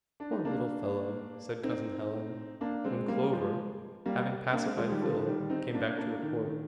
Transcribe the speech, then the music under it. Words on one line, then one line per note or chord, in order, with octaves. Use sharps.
"Poor little fellow!" said Cousin Helen, when Clover, having pacified Phil, came back to report.
D4
D#4
A#3 D4
C4 D#4
A#3 D4
G#3 C4
G3 A#3
F3 G#3
G3 A#3
A#3 D4
G#3 C4
F3 G#3
D#3 G3
D3 F3
D#3 G3
C4 D#4
A#3 D4
A#3 D4
D#3
D#3